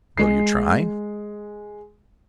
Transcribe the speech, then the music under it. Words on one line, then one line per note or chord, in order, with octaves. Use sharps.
"Will you try?"
G#3 C7